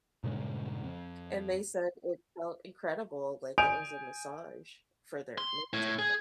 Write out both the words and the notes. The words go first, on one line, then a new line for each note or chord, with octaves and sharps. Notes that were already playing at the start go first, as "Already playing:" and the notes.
“and they said "it felt incredible," like, it was a massage for their nervous system.
G2 A#2 C#3 G#3
F2
G#5 D#6 G6 D7 F7
C6
A2
G#4